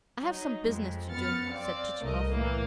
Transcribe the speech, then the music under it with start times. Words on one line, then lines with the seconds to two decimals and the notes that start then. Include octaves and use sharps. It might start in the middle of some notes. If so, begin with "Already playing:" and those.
"I have some business to do," said Chichikov.
0.24 F#3 D#4
0.69 F2 G#3
1.12 F#2 B3 F6 A6 C#7
1.52 C4 D5 F5
2.02 C2 A3 A#4 D#5
2.31 A2 E3 A#3